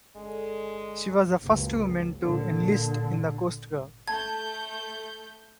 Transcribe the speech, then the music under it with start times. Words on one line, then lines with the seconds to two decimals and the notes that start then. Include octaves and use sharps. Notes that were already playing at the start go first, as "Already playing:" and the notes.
She was the first woman to enlist in the Coast Guard.
0.16 D3 G#3
1.41 F#1 C#2
2.20 A#2 D3
4.08 A3 A5 G6 G#6